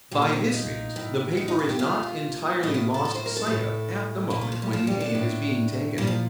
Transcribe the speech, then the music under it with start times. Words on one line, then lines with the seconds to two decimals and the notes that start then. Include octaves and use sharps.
By this means, the paper is not entirely lost sight of at the moment when the aim is being taken.
0.11 A#2 G4
0.22 F4
0.33 C4
0.54 D#4
0.96 A2
1.37 D#4
1.48 D#4
1.59 F4
1.69 G4
1.79 A#2 F4
2.63 A2 D#4
2.74 F4
2.94 A4
3.05 A4
3.15 C5
3.26 A#4
3.37 A4
3.46 A2
4.30 A#2 A#3
4.41 A3
4.52 F3
4.62 G3
4.73 F3
4.87 G3
5.00 D4
5.15 A2
5.98 A#2 G3
6.07 F3